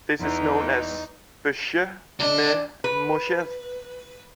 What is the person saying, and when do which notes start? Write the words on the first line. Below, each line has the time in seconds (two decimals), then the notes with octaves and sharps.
This is known as beschuit met muisjes.
0.19 E2 E3 D#4
2.20 C#2 D4 D#5
2.84 B4